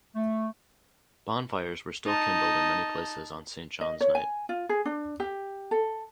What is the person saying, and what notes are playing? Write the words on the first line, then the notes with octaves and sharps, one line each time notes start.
Bonfires were still kindled in many places on St. John's Night.
A3
D#4 A5
D#5
C#5
G#5
F4
G#4
D4
G4
A4